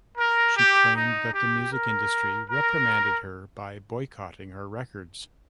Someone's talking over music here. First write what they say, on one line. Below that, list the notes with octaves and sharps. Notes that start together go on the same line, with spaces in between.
She claimed that the music industry reprimanded her by boycotting her records.
A#4
G4
D#4
G4
A#4
A#4